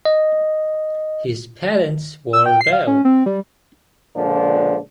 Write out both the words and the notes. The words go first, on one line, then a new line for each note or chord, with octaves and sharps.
His parents were Rev.
D#5
E6
G5
C7
F5
C#4
C4
G3
C#2 A#2 D3 F3 D4